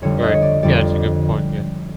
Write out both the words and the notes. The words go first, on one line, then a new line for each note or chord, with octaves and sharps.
Right. Yeah, that's a good point, yeah.
F2 D3 G3 C#5
D#5
C#5
D5
F2 D3 G3 D5